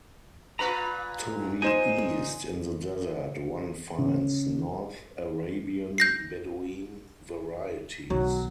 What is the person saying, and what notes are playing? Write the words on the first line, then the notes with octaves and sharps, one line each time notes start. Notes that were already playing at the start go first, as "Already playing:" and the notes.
To the East, in the desert, one finds North Arabian Bedouin varieties.
A#2 F4 B4 A#5 B5
D#4 C5 G#5 E7
C#3
G6 A#6 C7
B1 D#3 F#3